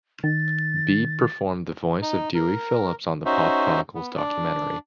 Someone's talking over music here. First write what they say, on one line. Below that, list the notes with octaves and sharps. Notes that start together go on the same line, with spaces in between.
Beebe performed the voice of Dewey Phillips on the Pop Chronicles documentary.
D#3 A6
D#4
A#4
C#4 D#4 F#4 C5 E5
B3
D4 D5